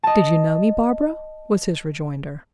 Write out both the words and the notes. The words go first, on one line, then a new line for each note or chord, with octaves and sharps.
"Did you know me, Barbara?" was his rejoinder.
D#5 A5